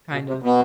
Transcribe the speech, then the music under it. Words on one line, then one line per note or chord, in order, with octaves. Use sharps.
kind of
B2
C3
B2